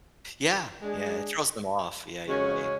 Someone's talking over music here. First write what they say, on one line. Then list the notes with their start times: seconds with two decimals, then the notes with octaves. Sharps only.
Yeah, yeah. It throws them off. Yeah, you're right.
0.80 G#3 D4 G#4
2.26 C#3 G#3 C#4 F#4 C#5